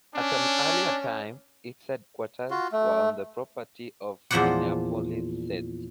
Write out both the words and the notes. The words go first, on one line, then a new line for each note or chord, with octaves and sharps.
At an earlier time its headquarters were on the property of Minneapolis-St.
C#4 D4
F4 F#4
A3
E2 A#2 F3 C5 D5 F#5